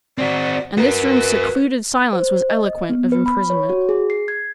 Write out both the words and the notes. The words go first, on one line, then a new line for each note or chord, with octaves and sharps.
And this room's secluded silence was eloquent of imprisonment!
C4 F#4 D5
F#4 A#4 B4
C5
D#5
B3
B4
B5
C#5
F#4
G#4
C7
G#6